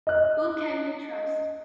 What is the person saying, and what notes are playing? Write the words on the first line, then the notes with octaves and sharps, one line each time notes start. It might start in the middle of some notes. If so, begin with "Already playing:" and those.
Who Can You Trust?
D#5 F#6